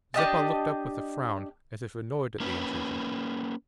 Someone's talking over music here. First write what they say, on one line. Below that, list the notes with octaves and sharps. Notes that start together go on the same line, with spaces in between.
Zeppa looked up with a frown, as if annoyed at the intrusion.
D4 G4 D#5 A5
A#3 C#4 B4